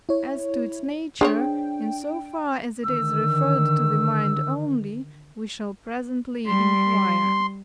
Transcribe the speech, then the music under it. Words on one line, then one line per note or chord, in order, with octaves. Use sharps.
As to its nature, in so far as it is referred to the mind only, we shall presently inquire.
E4 C#5
D4 G#4 C5 C#5 G5
D3 D#3 E6
G3 C6